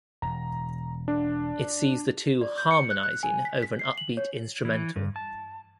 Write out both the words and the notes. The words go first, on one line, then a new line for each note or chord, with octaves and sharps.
It sees the two "harmonizing over an upbeat instrumental".
E1 A#5
D4
D5
G6
C#7
F#6
F#6
G#5
B6
B6
C7
F#7
C#5
E3
G2
A5